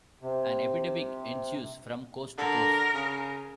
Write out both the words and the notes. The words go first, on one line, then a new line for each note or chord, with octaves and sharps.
An epidemic ensues from coast to coast.
C3
D3 A#4
C#3